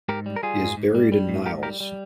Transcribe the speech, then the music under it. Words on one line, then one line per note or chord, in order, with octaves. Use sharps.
He is buried in Niles.
G#2 G4 A#4
G3
A#4
G3 F4 G#4
G#2
G#2
G3
G3
G#2
G#2 G4 A#4
G3 G4 A#4
G3